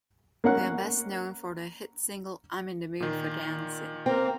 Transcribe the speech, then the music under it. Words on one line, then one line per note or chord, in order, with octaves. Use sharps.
They are best known for their hit single "I'm In the Mood for Dancing".
A#3 C#4 F#5 F#6
A#2 D#3
A#3 C4 A#4 G5